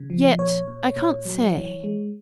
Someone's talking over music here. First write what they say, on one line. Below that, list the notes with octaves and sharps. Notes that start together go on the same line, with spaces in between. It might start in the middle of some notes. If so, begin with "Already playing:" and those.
Yet, I can't say.
Already playing: C#3
F3
A#2 C#5
A#2
A#2
F#3
E3
G#3